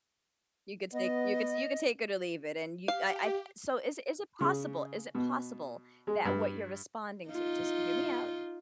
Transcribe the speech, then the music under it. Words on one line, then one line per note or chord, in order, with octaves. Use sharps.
You could take you could you could take it or leave it, and you I I th so, is is it possible is it possible that what you're responding to- just hear me out-
B3 D#5
G4 F5
C#3
B2
G#3
G2
D#4 F4